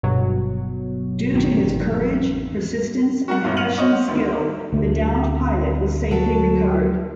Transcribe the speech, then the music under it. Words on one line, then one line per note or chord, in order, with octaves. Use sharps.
Due to his courage, persistence, and professional skill the downed pilot was safely recovered.
G1 B2 F#3
G#1 E2 D#3
F#4 A#4 F#5
G1 F#2 A#2 F5 F#5
F6 C#7 D#7 F7 F#7
F#4 C5 C#5 D#5
D2 G#2 D3 D#3 B3
D2 A3
F#3 A4